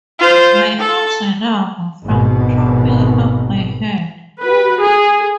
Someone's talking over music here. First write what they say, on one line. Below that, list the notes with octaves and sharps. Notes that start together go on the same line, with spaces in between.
My arms were numb from propping up my head.
F4 C5
A4
G#1 B2
B4
G#4